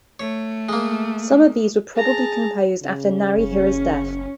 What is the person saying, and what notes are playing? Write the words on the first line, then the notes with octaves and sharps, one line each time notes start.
Some of these were probably composed after Narihira's death.
A3 C#5
G#3 A#3
G#4 A5 A#5
C#3
F#1 C#4